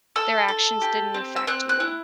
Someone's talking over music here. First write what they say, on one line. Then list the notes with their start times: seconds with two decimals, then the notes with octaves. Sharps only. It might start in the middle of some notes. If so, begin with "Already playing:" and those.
their actions didn't affect you.
0.16 A4 E6
0.48 A4
0.82 G4
1.14 C4
1.36 E6
1.47 C4 F#6
1.69 F#6
1.80 E4